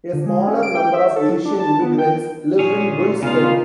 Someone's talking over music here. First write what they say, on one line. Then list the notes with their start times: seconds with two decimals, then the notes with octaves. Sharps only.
A smaller number of Asian immigrants live in Bulls Head.
0.13 D3
0.26 G#3
0.47 C#4
0.63 D7
0.75 G5
0.94 E5
1.16 A4
1.29 F#3
1.45 D4
1.60 A5
1.82 B3
1.98 G5
2.59 A#2 C#4 G#4 C#5
3.23 C#3 B3 D#4 F4 F5